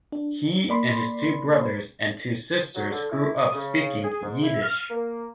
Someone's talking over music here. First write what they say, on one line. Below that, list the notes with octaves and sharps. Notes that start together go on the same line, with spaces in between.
He and his two brothers and two sisters grew up speaking Yiddish.
D4
A#3 D5 B5 C6
F#3
D3
E4
D#6
C#3
G#4
G#2
E4
F6
A#3